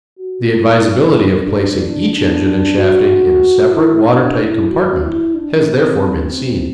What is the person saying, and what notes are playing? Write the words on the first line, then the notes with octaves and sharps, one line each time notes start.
The advisability of placing each engine and shafting in a separate water-tight compartment has therefore been seen.
F#4
E4
D4
D4
D4
D4
D4
F#4
E4
D4
E4
F#4
E4
D4
C4
C4